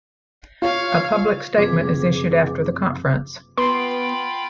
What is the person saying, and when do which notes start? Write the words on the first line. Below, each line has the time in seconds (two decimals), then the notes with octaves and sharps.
A public statement is issued after the conference.
0.62 F4 C#5 F5
1.58 F#1 C3 F3 G#4 B4 D6
3.58 B3 F4 G5 B5 C6